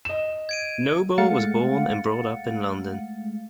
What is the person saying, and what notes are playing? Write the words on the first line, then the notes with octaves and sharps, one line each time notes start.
Noble was born and brought up in London.
D#5 E7
G#6 D7 D#7
G#3 A3 F5 F#5 A6 C#7